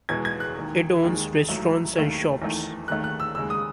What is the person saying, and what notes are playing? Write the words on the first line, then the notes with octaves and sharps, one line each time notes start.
It owns restaurants and shops.
E2 B2 G#3 G#6
G#6
F#6
E1 D#2 D#3
D#2 D#3 G#3
A1 G#2 F#3 A3
D#2 D#3 A3
E2 D#3 A3
D#2 D#3 A3 F#6
F#6
E6
D#2 C#3 G#3 E6
D#6